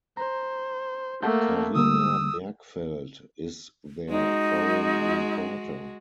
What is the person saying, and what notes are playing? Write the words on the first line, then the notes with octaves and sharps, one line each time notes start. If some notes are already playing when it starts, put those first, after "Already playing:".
Carina Bergfeldt is their foreign reporter.
C5 A#5
A3 A#3 F#5 A5 G6
D3 G3 A#3 D#6 E6
G#3 D#4 F#4